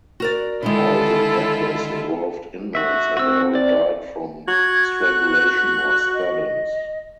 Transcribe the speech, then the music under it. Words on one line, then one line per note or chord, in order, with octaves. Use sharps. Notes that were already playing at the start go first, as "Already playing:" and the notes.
All the deaths involved inmates and all died from strangulation or stabbings.
F#4 A#4 D5
D3 D#3 G#3 E4 F4 A4
F#4 E5
C4 F#4 E6
D5
F#4 G#6
F#6
F#6
D#5